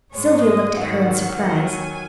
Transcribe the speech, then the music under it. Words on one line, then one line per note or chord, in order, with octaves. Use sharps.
Sylvia looked at her in surprise.
G#2 G#3 C#5
D#5
G#2 D#3 F#3 F#5
D#2 D#3 F#3 F#5
G#5